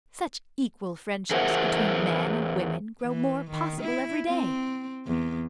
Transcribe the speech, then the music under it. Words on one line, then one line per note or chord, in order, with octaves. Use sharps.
Such equal friendships between men and women grow more possible every day.
E2 G#4 A#4 C5 E5 F#5
E3
D#3
E4
C4
E2